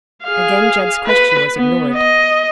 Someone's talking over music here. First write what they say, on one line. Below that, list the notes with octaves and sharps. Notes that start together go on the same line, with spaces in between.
Again Jed's question was ignored.
G#4 F5
B4
B3
D#5